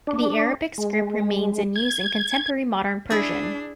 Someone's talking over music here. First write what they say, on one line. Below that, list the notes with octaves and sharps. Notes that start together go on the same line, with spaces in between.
The Arabic script remains in use in contemporary modern Persian.
D4
G#3
G#6
D4 E4 G#4